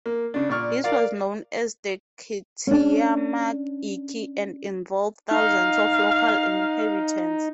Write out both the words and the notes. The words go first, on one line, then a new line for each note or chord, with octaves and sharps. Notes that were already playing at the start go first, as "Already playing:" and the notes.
This was known as the "Kitayama Ikki" and involved thousands of local inhabitants.
A#3
C#3 D4
A#2 D5 C#6 F6
A#4 D5 F5
C#4 D4
D#4 F5